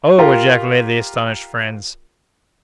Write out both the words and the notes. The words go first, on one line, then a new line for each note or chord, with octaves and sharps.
"Oh!" ejaculated the astonished friends.
F4 G4 A#4